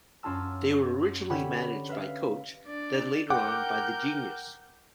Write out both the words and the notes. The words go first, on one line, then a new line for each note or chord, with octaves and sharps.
They were originally managed by Coach, then later on by The Genius.
F#2 C#4 F4 A5 E6
D3 C#4 G4 F#5 B5
B4 E5 F5
D4 D5
A#4 F#5 G5 D6 G6